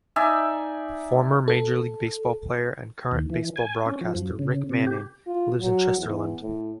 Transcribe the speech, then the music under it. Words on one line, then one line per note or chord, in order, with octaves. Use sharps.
Former Major League Baseball player and current baseball broadcaster Rick Manning lives in Chesterland.
D#4 D5 E5 G#5
A4
D#2
E3
G#5
C#4
F3
F#2
C#3
C3
G4
F4
F#3
E2
A2